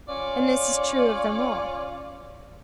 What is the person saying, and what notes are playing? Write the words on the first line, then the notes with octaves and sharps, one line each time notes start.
And this is true of them all.
C#4 F4 C#5 D5